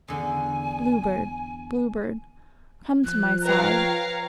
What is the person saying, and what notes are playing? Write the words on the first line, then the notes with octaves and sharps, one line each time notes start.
"Blue Bird, Blue Bird, Come to my side."
E2 D3 G#5
F3 F#6
B4 C#5 F5 G5 A#5